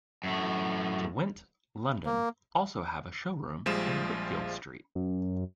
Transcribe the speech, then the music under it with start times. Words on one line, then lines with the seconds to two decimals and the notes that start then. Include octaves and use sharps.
Derwent London also have a showroom in Whitfield Street.
0.23 F#2 A2
2.06 A#3
3.66 A#1 F3 G3 G#3 F4 E7
4.95 F#2